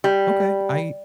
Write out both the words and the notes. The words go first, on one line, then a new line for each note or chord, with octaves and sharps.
okay. I
G3